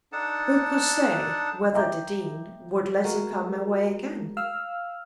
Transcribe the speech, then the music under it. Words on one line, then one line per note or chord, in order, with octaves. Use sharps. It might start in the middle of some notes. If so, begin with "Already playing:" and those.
Who could say whether the Dean would let her come away again?
D4 D#4 A4 F#5 A5
D#5 E5 G5 A#5 D6 G6
G#3 A3 F#4 A#4
F5 E6 F6